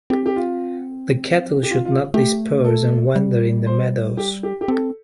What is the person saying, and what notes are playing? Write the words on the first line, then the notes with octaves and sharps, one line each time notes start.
The cattle should not disperse and wander in the meadows.
C4 G4
G4
F4
G4
F4
F4
A3 G4
A4
G3
C5
G4
G4
G4
C4 A4